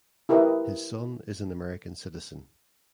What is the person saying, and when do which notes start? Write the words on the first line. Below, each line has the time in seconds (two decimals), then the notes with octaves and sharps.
His son is an American citizen.
0.29 E4 G4 A#4 B4 D#5 E5